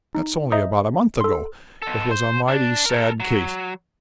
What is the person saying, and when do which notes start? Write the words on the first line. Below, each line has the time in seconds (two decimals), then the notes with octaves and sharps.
That's only about a month ago; it was a mighty sad case.
0.15 D#4
0.52 C5 D#5 E5 A#5 D#6 B6
1.21 A4 C6
1.82 B2 A4
2.11 C5
2.48 D4
2.86 A4 A#4
3.20 F#3